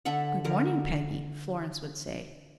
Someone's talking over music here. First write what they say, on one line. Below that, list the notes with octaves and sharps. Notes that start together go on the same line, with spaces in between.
"Good morning, Peggy!" Florence would say.
D3 A4 E5 F#5
D3 A#4